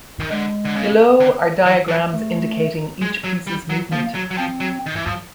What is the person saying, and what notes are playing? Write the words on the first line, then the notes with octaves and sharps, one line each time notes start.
Below are diagrams indicating each piece's movement.
D#3
D3 G#3
D3
C#3
D3
E3
F3
A3
G#3
F#3
G3
F#3
F3 A#3
F#3
F#3
F3 C4
F#3
D#3
E3
F3